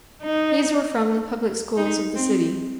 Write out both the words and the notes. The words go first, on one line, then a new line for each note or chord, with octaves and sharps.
These were from the public schools of the city.
D#4
D#4
C4